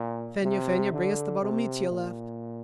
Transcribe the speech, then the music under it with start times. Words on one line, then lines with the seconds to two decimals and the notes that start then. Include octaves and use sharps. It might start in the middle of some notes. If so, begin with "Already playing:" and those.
Fenya, Fenya, bring us the bottle Mitya left!
Already playing: A#2
0.43 C3
0.92 D3
1.41 C3
1.90 A#2